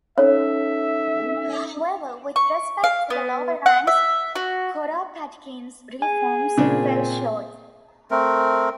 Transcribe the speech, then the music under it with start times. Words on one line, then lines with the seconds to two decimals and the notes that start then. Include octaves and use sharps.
However, with respect to the lower ranks, Kuropatkin's reforms fell short.
0.18 C#4 D#4 A4 C#5 E5
2.36 C#6
2.84 F5
3.10 B3
3.66 F#5
3.87 E5
4.36 F#4
6.02 G#4 G#5
6.58 A#2 C#3 C4 D4
8.11 A3 C4 A#4